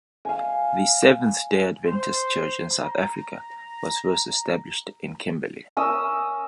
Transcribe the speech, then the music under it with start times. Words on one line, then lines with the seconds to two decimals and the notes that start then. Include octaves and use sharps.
The Seventh-day Adventist Church in South Africa was first established in Kimberley.
0.25 F5 G#5
1.86 C5
2.84 A#5
5.77 C#4 A#4 D#6 E6